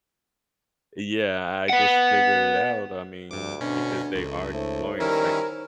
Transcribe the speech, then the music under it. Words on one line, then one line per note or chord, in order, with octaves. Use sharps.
Yeah, I just figured it out. I mean, because they are exploring, it's like
B4 F#5
D2 G2 D6
B2 C#4 D4
C#2 A4
A3 D#4 C5 C#5
D#3 G3 C#4 E4 A#4